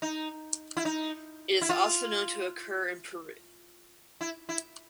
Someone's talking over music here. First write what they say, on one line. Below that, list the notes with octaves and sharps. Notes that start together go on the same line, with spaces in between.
It is also known to occur in Peru.
D#4
E4
D#4
E4
F4
E4
E4